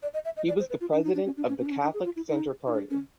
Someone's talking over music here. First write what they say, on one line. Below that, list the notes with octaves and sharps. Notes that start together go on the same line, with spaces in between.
He was the president of the Catholic Centre Party.
D5
D#5
E5
D#5
D5
C5
B4
F4
D4
D#4
D4
C#4
D4
C#4
C#4
D4
C#4
D4
G#4
F4
E4
D#4
D#4
D4
C#4